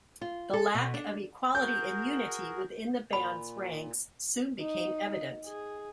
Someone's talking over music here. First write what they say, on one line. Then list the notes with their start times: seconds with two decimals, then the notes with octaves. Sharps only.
The lack of equality and unity within the band's ranks soon became evident.
0.21 F4
0.53 A4
0.74 B2
0.94 D4
1.55 F#4 G#4 A#4 G6
3.13 A#2 B5
4.61 D#4
5.45 G#4